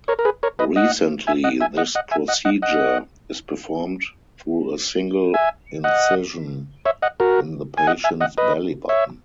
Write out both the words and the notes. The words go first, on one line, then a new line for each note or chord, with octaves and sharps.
Recently, this procedure is performed through a single incision in the patient's belly-button.
A#4 C#5
A#4
G#4 B4
A#4 C#5
B4 D#5
D#5 F#5
E5 G#5
D#5 F#5
E5 G#5
D#5 F#5
D#5 F#5
E5 G#5
D#5 F#5
D#5 F#5
D#5 F#5
E5 G#5
D#5 F#5
C#5 E5
D#5 F#5
F#4 A#4
G#5
D#5 F#5
E5 G#5
D#5 F#5
B4 D#5
C#5 E5